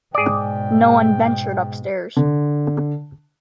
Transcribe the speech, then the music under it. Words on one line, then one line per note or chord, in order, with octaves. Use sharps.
No one ventured upstairs.
G#2 B2 G#4 D5 G5
D3